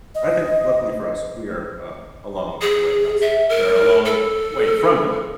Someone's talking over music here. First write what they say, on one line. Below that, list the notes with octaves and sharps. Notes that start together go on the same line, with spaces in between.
I think luckily for us, we are, uh, a long way past that or a long way from that.
D#5
G#4
E5
A#4
A4